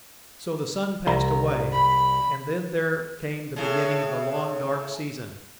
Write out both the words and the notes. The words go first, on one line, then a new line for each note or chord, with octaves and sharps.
So the sun passed away, and then there came the beginning of the long dark season.
C2 A#5
B5
A2 C#3